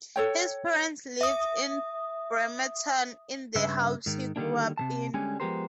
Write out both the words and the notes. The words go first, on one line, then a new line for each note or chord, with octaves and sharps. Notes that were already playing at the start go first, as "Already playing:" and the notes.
His parents live in Bremerton in the house he grew up in.
A4 C#5 G5
E5 D#6
G2 C#3 B4 E5
G#2 D#3
D3 D#3 F#3 G3 A#3 D4
C3 E3 A5
D3 G3 G#3 C#4 G#5
F3 G#3 B3 G4 A#4 C5